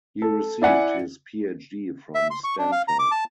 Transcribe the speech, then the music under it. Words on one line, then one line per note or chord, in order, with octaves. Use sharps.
He received his Ph.D. from Stanford.
A4
E4 D5 F#5 G#5
E5
C6
C#6
D4
F5
A#5
D6
A5